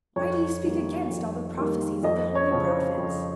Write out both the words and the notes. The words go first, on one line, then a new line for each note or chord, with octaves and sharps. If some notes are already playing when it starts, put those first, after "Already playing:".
Why do ye speak against all the prophecies of the holy prophets?
F2 C#5
D#3 G3 A#3
F2
D#3 G3 A#3
F2 D#5
C#5
C#3 F3 C4
C5
F2